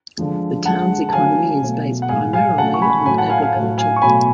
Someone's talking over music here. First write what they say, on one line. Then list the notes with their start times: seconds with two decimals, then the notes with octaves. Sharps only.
The town's economy is based primarily on agriculture.
0.18 D3 F3 G#3
0.65 D3 G#3 F#5 A5
1.09 A5
1.13 D3 F#3 A3 F5 G#5
1.61 B2 F#3 A3
2.02 F#5
2.09 A2 G#3 F5 G#5
2.33 F5 G#5
2.58 C#3 F#3 A3 F#5 A5
2.74 C#6
2.82 G#5 B5
3.05 A2 F#3 A3 G#5 B5
3.17 F#5 A5
3.29 F5 G#5
3.41 F5 G#5
3.54 A2 F#3 A3
3.78 F5 G#5
3.96 C#6
4.02 B2 F#3 A3 G#5 B5